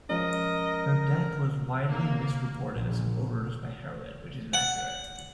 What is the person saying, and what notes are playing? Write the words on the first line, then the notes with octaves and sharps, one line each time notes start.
Her death was widely misreported as an overdose by heroin, which is inaccurate.
F3 G#3 C#4 A#4 D#5
A#3
A#1
F#5